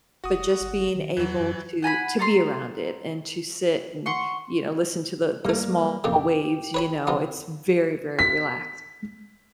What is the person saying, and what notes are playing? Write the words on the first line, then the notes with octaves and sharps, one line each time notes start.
but just being able to to be around it and to sit and, you know, listen to the the small waves, you know, it's very, very relaxing.
F1 F#4 D#6
G1
D#3
E2 E3 F#3
F#2
F#5 G#5 A#5 B5
A4 A#5 C6
F#5 C6 C#6
G2 G3 A3 A#3
F2 A#2 C#3 G4
B4 C#5 B5
C3 F3 B3
B6